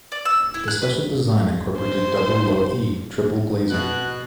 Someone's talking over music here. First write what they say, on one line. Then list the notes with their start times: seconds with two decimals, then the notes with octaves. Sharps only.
The special design incorporated double low-"e" triple glazing.
0.12 D5
0.25 E6
0.54 E4
0.68 F#6
0.82 B4
1.78 C5
3.70 B2 F#6